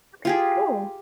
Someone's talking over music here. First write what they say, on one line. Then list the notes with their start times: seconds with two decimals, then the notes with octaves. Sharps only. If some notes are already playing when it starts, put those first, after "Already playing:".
Okay, cool.
0.25 F4 G4 G#4